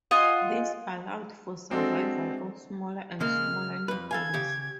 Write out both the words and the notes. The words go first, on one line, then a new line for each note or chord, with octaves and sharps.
This allowed for survival of smaller and smaller newborns.
F4 D#5 F#5 G#5
G#3 C4 D4 F#4 A4
C#3 G#3 A#3 F6
F2 B4
A4 F5 G#5 G#6
C#3 G4